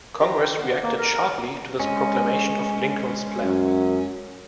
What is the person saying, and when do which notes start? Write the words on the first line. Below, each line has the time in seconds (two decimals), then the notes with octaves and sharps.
Congress reacted sharply to this proclamation of Lincoln's plan.
0.20 G4 C5 A#5
0.59 C5 D5 F#5
0.83 A#3
0.98 D#4 A#4
1.80 G#3 C#4
3.41 F#2